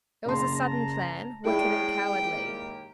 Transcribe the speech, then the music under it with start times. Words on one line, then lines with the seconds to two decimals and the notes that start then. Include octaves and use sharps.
It was a sudden plan, wicked and cowardly.
0.26 F#1 C#3 A5 A#5 C6
1.45 E2 A2 G#3 C#4 E4 D5 G5
2.13 D#2 A#3 G4